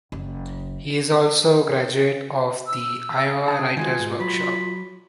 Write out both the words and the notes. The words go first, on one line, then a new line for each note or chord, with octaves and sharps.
He is also a graduate of the Iowa Writers' Workshop.
F#1
E6
G#4 A5
D#3 G#3 F4 F#4 G#5
G#2
F#3 B5